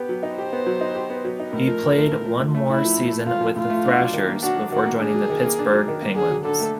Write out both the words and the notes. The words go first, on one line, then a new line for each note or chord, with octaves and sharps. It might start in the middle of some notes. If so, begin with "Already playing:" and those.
He played one more season with the Thrashers before joining the Pittsburgh Penguins.
Already playing: B3 G4
F#3
D#4
G4 C5
B3
F#3
D#4
G4
B3
F#3
D#4
A2 A#4
F3
A2
A3
A2
F3
A2
A3
A2 E4
F3
A2
A3
A2 F4
F3
A2 F4
A3
D4
F#3
D#3
A#3
D4 F#4
F#3
D#3 F#4
A#3
D4 G#4
F#3
D#3
A#3
D4
F#3
D#3
A#3
D3 G#4
F#3
D3 A4
A3